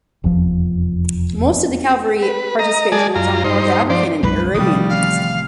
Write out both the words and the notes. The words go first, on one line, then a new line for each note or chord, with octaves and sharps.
Most of the cavalry participation was on the North African and Arabian fronts.
F1 E2 F3
B4
D#5 A#5
G#3 G#4 D5 A5
F#2 F4 A#5
G2 D#4 C5
F3 C5 D5
B1 F#2 G#3 B4
A1 C3 D#3 F3 G3 D#6
F5